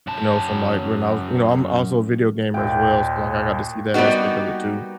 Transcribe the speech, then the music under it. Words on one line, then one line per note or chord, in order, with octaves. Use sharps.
you know, from, like, when I was you know, I'm also a video gamer as well, so, like, I got to see that aspect of it too,
F#2 A5
D#2 A#2 G5
G3 A#3 B3 D#4 F#4